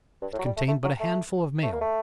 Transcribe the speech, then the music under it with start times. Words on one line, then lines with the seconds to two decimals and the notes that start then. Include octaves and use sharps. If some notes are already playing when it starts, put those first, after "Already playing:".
It contained but a handful of mail.
0.22 G2
0.33 A2
0.39 F#3
0.45 G3
0.56 A3
0.68 A3
0.84 F#3
0.99 A3
1.62 A3
1.73 A#3
1.81 A3